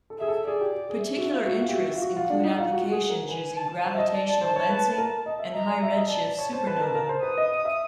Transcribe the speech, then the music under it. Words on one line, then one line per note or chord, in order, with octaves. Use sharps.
Particular interests include applications using gravitational lensing and high-redshift supernovae.
A4
G#4 E5
A4
G#4 D5
G4
G4
G#4
G#4 E5
F#4
F4
F#4
F4
G4
F#4
F4
F#4
F4 F#5
D4
D#4
F4
F#4
G#4
A#4
B4 G#5
A5
C5 A5
E5
D#5
D5
D5
C5
C#5
B4
A#4
D#5
E5
D#5 A#5
D5
E5
D#5
D5 A5
D5
C#5
C5
B4
A#4
A#4
C5
B4 D#6
D#5
D#5
E5